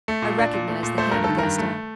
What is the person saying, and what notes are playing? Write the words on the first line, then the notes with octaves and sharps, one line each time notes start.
I recognised the hand of Gaston.
A3
A#2
D4
A#2
A3
A#2
A3 C5
G2 A#4
D#3 A4
G2 A#4
A3